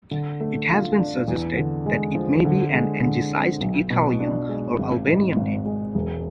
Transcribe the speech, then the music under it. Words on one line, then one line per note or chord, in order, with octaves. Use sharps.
It has been suggested that it may be an angicised Italian or Albanian name.
D3
A3
F4
D4
E2
D3
G#3
F3
D3
G#3
D3
C4
B1
B2
D4
G#3
G#1
G#2
G#1
G#3
E1